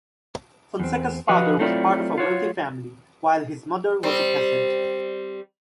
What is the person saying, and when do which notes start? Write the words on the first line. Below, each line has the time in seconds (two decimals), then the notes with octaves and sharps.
Fonseca's father was part of a wealthy family, while his mother was a peasant.
0.80 E2 C4
1.28 F3 F#4 G4 B4 D#5 F5
1.59 F#3 A3 C4 E4 F4 D5
2.18 F4 F#4 C#5
4.03 G3 C4